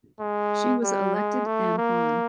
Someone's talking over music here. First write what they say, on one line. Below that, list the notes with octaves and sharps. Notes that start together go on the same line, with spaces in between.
She was elected an Hon.
G#3
G3
G#3
A3
A#3